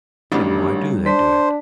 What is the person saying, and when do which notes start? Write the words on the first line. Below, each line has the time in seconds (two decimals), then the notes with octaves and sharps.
Then why do they do it?
0.32 A1 G2 D#3 F#3 D4
1.06 D4 C5 B6